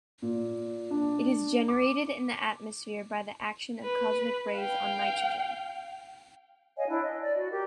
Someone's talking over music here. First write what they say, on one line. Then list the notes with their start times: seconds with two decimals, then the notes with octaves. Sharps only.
It is generated in the atmosphere by the action of cosmic rays on nitrogen.
0.22 A#2
0.91 D4
1.68 D6
3.84 B4
4.55 F5 G5
6.77 C#5 D#5 F5 G#5
6.88 D4 E4 C#5
7.02 D#5
7.23 D5
7.36 F#4
7.52 G4 A#4